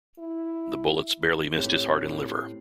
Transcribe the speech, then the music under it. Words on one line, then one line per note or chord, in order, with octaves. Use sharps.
The bullets barely missed his heart and liver.
E4
A2 C4 G4 C#5